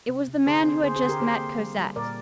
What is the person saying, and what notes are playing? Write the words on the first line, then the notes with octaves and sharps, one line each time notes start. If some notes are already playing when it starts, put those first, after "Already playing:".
It was the man who had just met Cosette.
C3
C3
D3 G#4 C5
C4
D3 G#4 C5
G#4 C5
D3
G4 A#4
A#3 G#4 C5
A#3
G3
G3
A#2 A#4 D5